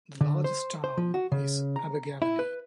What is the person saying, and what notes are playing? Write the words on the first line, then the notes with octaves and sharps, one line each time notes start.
The largest town is Abergavenny.
D3
C5
C5
F3
F#4
C#3
A#5
E4
B4